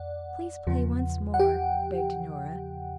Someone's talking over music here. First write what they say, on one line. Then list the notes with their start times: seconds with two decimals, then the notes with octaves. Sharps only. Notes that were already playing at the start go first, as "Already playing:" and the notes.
"Please play once more," begged Nora.
Already playing: F2 D5 F#5
0.67 E2 C#3 F3
1.34 F#5
1.39 G4 G5